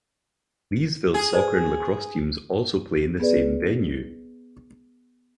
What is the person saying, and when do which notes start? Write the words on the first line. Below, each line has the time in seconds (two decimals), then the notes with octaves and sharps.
Leesville soccer and lacrosse teams also play in the same venue.
1.14 G#4
1.33 B4 C5 D5
3.20 B3 G#4 B4 D5